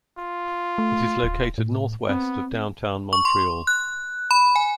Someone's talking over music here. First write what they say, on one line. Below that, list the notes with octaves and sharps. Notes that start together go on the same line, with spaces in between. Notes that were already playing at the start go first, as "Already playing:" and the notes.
It is located northwest of downtown Montreal.
F4
A3
D1
A2
B3 C4
C#6
C6
F#6
B5
G#5